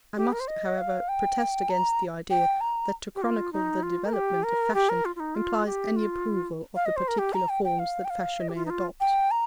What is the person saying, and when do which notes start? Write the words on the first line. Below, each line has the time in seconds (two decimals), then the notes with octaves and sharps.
I must, however, protest against the idea that to chronicle the development of Fashion implies any approval of the particular forms that Fashion may adopt.
0.17 G4
0.33 A#4
0.40 C5
0.48 D#5
0.78 F5
1.09 G5
1.69 A#5
2.30 G5
2.61 A#5
3.15 G4
3.22 F4
3.53 D#4
3.83 F4
4.05 A#4
4.13 G4
4.43 A#4
4.74 G4
4.89 A#4
5.05 F4
5.16 F4
5.20 D#4
5.35 F4
5.66 G4
5.96 F4
6.76 F5
6.86 D#5
6.97 C5
7.08 A#4
7.18 G4
7.33 A#5
7.49 G5
7.64 G5
7.79 F5
8.05 G5
8.10 F5
8.40 D#5
8.49 G4
8.55 F4
8.66 D#4
8.70 F4
9.00 G5
9.31 A#5